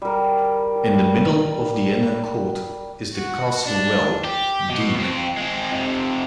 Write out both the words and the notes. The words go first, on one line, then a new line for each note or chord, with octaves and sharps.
In the middle of the Inner Court is the castle well, deep.
G3 A#4
F#4
D4
G4
B2
F2 C4
G#3 C4
F2 C3